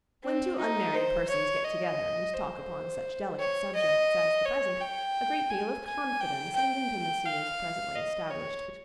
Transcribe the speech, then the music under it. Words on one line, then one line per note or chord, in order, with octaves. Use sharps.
When two unmarried persons get together, and talk upon such delicate subjects as the present, a great deal of confidence and intimacy is presently established between them.
C4
D#4
C5
C#5
D#5
C5
C#5
D#5
C#5
G5
G#5
G#5
G5
G5
F5
D#5
C#5